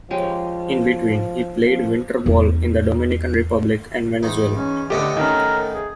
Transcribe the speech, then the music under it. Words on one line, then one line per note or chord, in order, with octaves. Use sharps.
In between, he played winter ball in the Dominican Republic and Venezuela.
F3 G#3 C#4 G4
F3
E2 D#4
E2 D#4
C#4
A2 D3 B3 G4 A4 D#5
D#3 C#4 A#4
G#4